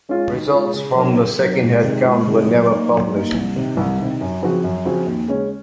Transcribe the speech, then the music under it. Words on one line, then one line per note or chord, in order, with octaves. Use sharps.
Results from the second head count were never published.
G#3 C#4 F4
D#3
G#3 C#4 F4
C#3
F#3 C4 D#4 A#4
C#3
F#3 C4 D#4 A#4
C#2
C3 D#3 G#3
C#2
C3 D#3 G#3
F#3
A#3 D#4
F#3
A#3 D#4
C2
C3 D#3
C2
C3 D#3
F#2
C#3 F3 C4 F#4
F#2
C#3 F3 C4 F#4
D#2
C#3 G#3 C#4